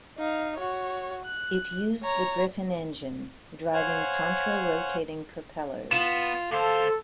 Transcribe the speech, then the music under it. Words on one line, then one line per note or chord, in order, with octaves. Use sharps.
It used the Griffon engine driving contra-rotating propellers.
D#4 F5
F#4 C#5
F#6
C#5 A#5
C5 C#5 F5 F#5 G#5
B3 F4 E7
D2 A4 C5 F5